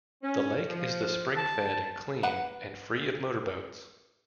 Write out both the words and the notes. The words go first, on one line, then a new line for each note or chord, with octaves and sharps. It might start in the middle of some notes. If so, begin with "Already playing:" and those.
The lake is the spring fed and clean and free of motor boats.
C#4
F3
A5
B4 F#5